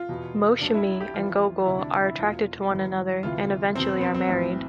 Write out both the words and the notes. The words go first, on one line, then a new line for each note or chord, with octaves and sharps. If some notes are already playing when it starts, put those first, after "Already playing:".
Moushumi and Gogol are attracted to one another and eventually are married.
Already playing: F4
E2 B2
B1 B2 D4
E4
E4
G4
F1 F2 E3 F4
D2 C3 E3 E4
D4
E4
E4
E1 E2 B2 F4
G1 G2 E3
D2 C3 E3 F4
E2 B2 C4
B3
C4
C4
B1 A2 E3